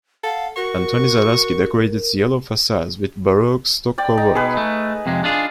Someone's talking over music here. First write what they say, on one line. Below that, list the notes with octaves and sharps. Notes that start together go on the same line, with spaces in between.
Antoni Zaleski decorated its yellow facades with baroque stucco work.
A4 F5 F#5
F#4 A#4 C#6
D5 G5
D#4
B2 G#4 B4
A3
F2 C3 G#3
D4 F4 G#4